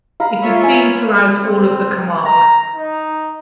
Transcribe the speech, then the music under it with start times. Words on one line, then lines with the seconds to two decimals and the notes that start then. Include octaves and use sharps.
It is seen throughout all of Camargue.
0.20 F5 A#5 B5
0.43 F4 C#5 E5
0.64 G#5
1.43 C4
2.25 A#5
2.75 D#4